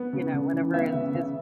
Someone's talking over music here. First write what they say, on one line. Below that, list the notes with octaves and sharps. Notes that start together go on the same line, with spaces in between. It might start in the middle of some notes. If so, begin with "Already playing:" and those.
you know, whatever is is
Already playing: B3
C#3
C#3
E3
B3 E5
C#3
C#3 E5